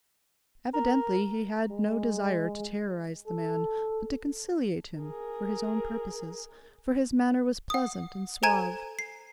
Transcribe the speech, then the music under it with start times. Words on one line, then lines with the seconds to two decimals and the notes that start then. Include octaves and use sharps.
Evidently he had no desire to terrorize the man, but to conciliate him, for his own purposes, for his manner was pleasant and suave.
0.73 A#4
1.71 G#3
3.26 A4
5.01 G#4 A#4
7.70 F#5 D#6
8.43 A4 C5 G#5 A#5 G#6 D#7
8.99 C7